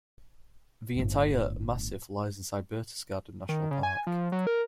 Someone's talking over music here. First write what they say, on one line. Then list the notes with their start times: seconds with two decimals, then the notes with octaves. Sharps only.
The entire massif lies inside Berchtesgaden National Park.
0.96 G1 A2
3.49 D#3
3.71 C#3
3.83 G#5
4.07 F3
4.32 F#3
4.47 A#4